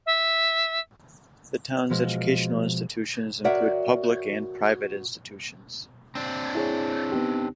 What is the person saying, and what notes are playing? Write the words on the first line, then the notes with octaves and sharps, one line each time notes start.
The town's educational institutions include public and private institutions.
E5
B2 F3 G#3
F#4 A#4 C#5 D5 E5 F#5
C4 D4
E4 G#4 C#5
B3 D#4 G4